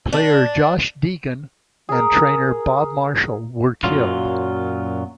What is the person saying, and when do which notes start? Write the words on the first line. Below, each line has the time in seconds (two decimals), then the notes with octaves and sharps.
Player Josh Deegan and trainer Bob Marshall were killed.
0.13 D4
1.89 G#4 A#4
3.84 F#2 A#2 F#3 F4